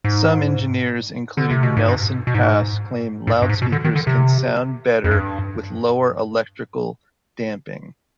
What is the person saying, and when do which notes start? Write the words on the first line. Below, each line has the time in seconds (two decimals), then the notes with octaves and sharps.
Some engineers, including Nelson Pass claim loudspeakers can sound "better" with lower electrical damping.
0.04 G#2
1.37 D3
1.51 C3
1.63 B2
1.77 G#2
1.88 G2
2.27 B2
2.34 G#2
3.27 G#2
3.42 G2
3.49 G#2
3.62 B2
3.72 D3
3.85 D#3
3.96 D3
4.07 C3
5.04 F2
5.11 G2